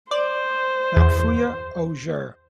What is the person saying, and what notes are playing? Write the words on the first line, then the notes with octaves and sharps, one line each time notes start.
"Notfeuer", O. Ger.
C5 D5
E2